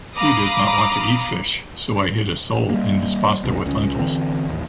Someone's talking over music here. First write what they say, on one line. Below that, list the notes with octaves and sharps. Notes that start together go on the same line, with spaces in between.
He does not want to eat fish, so I hid a sole in his pasta with lentils.
F5 A#5 B5 D6 D#6
G3 A#3
C2 B2
C#2 C#4
D3 E3 C4
A1 D#2